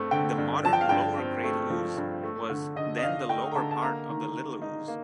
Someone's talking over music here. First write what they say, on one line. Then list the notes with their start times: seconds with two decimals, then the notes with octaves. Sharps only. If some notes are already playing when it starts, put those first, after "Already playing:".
The modern lower Great Ouse was then the lower part of the Little Ouse.
Already playing: G2 A3 C4
0.11 D3 G5
0.38 G2
0.64 F3 A5
0.73 G5
0.81 F5
0.89 G2 G5
1.17 C4
1.44 A3
1.70 F3
1.97 G2
2.23 A3
2.49 D3
2.76 D3 D#5
2.97 D#5
3.03 D4 F5
3.29 A3 G5
3.51 A#5
3.55 D3 A5
3.71 A5
3.82 A#3 A#5
4.09 D#3
4.35 D#3
4.62 D#4
4.88 A#3